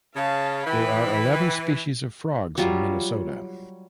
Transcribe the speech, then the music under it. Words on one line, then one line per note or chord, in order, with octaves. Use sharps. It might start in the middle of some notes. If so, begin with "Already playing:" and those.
There are eleven species of frogs in Minnesota.
C#3 F5 A5
E3 G5 B5
F#3 G3 F4